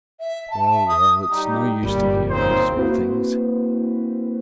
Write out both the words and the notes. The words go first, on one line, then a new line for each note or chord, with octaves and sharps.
Well, well, it's no use thinking of those sort of things.
E5
A5
E5
D#6
G3 D#4 G4
G1 A#2 G3
C#3 C4 D#4 C5
A#3 C4 E4 F#4 B4 C5